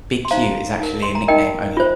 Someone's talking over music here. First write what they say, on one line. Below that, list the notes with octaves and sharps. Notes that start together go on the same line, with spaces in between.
Big Q is actually a nickname only.
C6
D#4 C5 F5 A#5
D#4 A#4
C6
A#5
D#4 A#4 D#5 G5
F4 C5